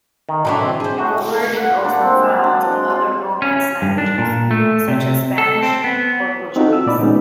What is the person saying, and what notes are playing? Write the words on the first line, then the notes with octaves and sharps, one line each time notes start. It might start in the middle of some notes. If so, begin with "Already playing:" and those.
The word is also found in other Romance languages such as Spanish or Portuguese.
D#3
B2 D3 E3 D4 C#5
C4
G#4 C5
A2 F#4
F#5
A#2
D4
C4
G#3
F#3
D4
D#5
G#3
F4
C#4
G2
D4
A#2
A3
C3
A4
C4
B3
C4 D#4 F4 F#4 A4
E6
A#2 D5 B5
G#3 B3 C#4 D#4